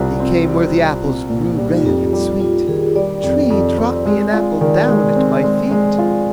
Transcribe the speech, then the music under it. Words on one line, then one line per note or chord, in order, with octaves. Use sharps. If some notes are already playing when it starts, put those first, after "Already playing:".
He came where the apples grew red and sweet: "Tree, drop me an apple down at my feet."
Already playing: C2 G3 F4 C5
C4 F4
G3
G3
C4
A#2
G3
D#4
F4
F2 G4
G3
G3 F4
D#3 G#4
G3 D5
F2
F2
C4
G#3
F4
D#3 D5
G#3 D5
C4 D5
G#3
G#3
F4